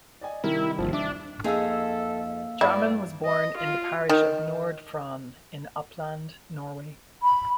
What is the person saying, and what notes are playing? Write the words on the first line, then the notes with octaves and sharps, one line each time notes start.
Jarmann was born in the parish of Nord-Fron in Oppland, Norway.
D5 D#5 G#5
G2 C3 D#3 E4 A#4
G1 D#2 F3
D4 E5 D6
F2 A#3 D#4 G#4 A4 F5 E6
G2 E4 D5
D#5
F4
D#3
B5